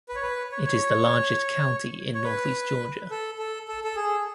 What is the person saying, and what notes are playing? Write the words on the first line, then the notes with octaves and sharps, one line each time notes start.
It is the largest county in Northeast Georgia.
B4
C#5
B4
C#5
C#5
C#5
B4
A4
A4
A4
A4
G#4